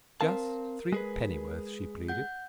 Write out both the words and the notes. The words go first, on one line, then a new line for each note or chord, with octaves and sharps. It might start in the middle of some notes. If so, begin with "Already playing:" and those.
"Just threepennyworth," she pleaded.
C4 A#4 F5 A5
G#3 G#4 B4
F#5 G6